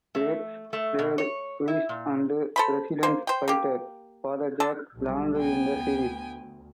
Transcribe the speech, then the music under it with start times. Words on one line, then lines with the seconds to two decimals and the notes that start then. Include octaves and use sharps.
Gretsch played priest and resistance fighter, Father Jack Landry in the series.
0.15 A3
0.73 A3
0.99 B2
1.18 C#5
1.68 E4
1.89 A#2
2.56 A4 C5 B5
3.03 A#3 C5
3.27 C5 G5
3.48 A#3 G4
4.60 D3 A4
4.97 B1 G3 A3
5.35 B3 G5 G#5
5.74 D2